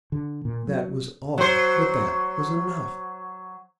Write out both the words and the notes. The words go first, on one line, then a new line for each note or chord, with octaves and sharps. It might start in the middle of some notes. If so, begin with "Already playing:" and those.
That was all, but that was enough.
D3
A#2
F#3
F#3 C5